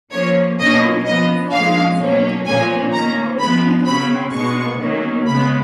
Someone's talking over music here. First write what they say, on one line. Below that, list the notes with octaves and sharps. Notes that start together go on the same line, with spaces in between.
Kiandra is often isolated by deep snow which made it inaccessible during winter.
F3 A#3 C#4 C#5
B2 F#3 A#3 C#4 D#5
F3 B3 D#5
A#2 F3 G#3 F5
B2 F#3 A#3 C#4
A#2 F3 A#3 C#4 G#5
D#3 A#3 C#4 A#5
F3 G#3 B3 B5
C#3 F#3 C#4 B5
B2 G#3 B3 C#6
D#3 F#3 A#3 C#4
C#3 G#3 B3 B5